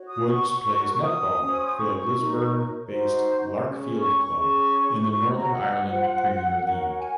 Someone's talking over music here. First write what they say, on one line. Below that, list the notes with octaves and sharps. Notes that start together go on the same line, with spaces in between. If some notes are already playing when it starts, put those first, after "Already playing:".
Woods plays netball for the Lisburn–based Larkfield club in the Northern Ireland Premier League.
Already playing: F#4 C#5
D#6
C#6
F#4 A#4 C#5
D#6
C#4 F#4 C5
C#6
D#4 A#4 C#5
D#4 F#4 C5
C#4 G#4 C#5
C#6
C#4 G#4 C#5 C#6
F#4 C#5 C#6
A#5
F#5
F4 C5
F#4 A#4 C#5
G#5